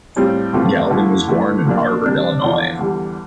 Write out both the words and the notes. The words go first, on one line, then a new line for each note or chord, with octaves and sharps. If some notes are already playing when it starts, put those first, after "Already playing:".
Galvin was born in Harvard, Illinois.
A2 G3 C4 F4
G2 D3 A3 C4 F4
D3 F3 A3 E4
D3 A3 E4
A#2 F3 A#3 D4
C3 G3 D4
E2 D3 F3
E2 D3 G3